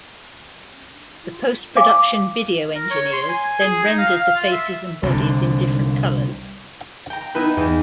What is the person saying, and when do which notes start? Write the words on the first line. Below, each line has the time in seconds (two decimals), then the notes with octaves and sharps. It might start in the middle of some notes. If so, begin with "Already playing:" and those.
The post-production video engineers then rendered the faces and bodies in different colors.
1.76 F5 G#5 D6
2.75 A#4
2.91 C#5
3.13 C6
3.29 G#5
3.60 G#4
3.84 D#4
3.98 F5
4.16 F5
4.35 F4
4.52 E5
5.03 C2 D3
7.10 G5 A#5
7.35 B3 D#4 E4 B4
7.57 E2